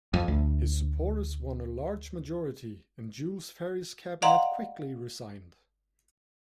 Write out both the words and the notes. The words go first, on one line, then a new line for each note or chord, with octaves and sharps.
His supporters won a large majority, and Jules Ferry's cabinet quickly resigned.
F2
D2
D5 D#5 F5 F#5 A#5 C6